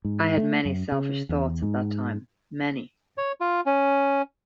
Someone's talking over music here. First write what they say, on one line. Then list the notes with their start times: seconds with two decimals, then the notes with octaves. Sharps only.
I had many selfish thoughts at that time, many!
0.05 G#2
0.38 A3
0.65 F#2
0.92 C#3
1.29 E2
1.62 G#2
3.18 C#5
3.41 F4
3.66 C#4